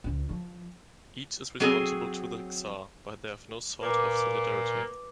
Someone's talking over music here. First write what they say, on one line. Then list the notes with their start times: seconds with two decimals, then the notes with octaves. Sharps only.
Each is responsible to the Czar, but they have no sort of solidarity.
0.04 C#2
0.29 F3
1.60 F#3 C4 G#4
3.81 A#2 A#3 B4 D6